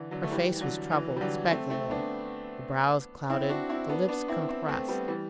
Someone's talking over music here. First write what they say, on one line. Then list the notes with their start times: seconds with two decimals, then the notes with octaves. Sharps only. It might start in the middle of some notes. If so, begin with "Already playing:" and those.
Her face was troubled, speculative; the brows clouded, the lips compressed.
Already playing: D3 E3
0.11 D3 F#3
0.23 A3
0.31 E3 G3
0.56 E3
0.61 D3 F#3
0.92 E3
1.16 G3
1.21 D3 F#3
1.50 A3 C4
1.70 A3 C4
1.90 B3 D4
3.30 C4 E4
3.49 D4 F#4
3.69 C4 E4
3.89 B3 D4
4.08 B3 D4
4.28 C4 E4
4.49 C4 E4
4.68 A3 C4
4.88 G3 B3
5.08 E3 G3